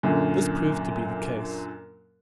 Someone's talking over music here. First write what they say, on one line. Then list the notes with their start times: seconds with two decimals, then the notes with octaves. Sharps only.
This proved to be the case.
0.03 F#2 A#2 D3